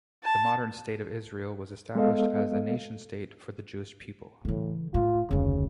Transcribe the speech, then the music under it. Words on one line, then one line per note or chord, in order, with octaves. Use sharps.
The modern State of Israel was established as a nation-state for the Jewish people.
A5
G#3 B3 A4 D#5 F5
A2 C#3 E3
A2 F4
F1 D2 C#3